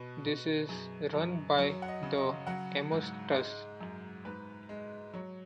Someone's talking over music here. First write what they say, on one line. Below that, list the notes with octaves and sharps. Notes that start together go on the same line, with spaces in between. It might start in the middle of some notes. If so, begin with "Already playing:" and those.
This is run by the Amos Trust.
Already playing: B2 B4
B2
F#2 G#4
F#2
F#3 C#5
F#5
D#5
C#3
D#5
F#3 F#5
G#2
G#3
F#2
G#2 B4
G#3
F#3 C#5